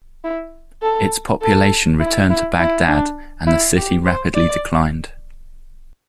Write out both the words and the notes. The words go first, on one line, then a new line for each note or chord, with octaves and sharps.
Its population returned to Baghdad and the city rapidly declined.
E4
A4
A4
E4
E4
E4
D4
E4
G4
C5
D5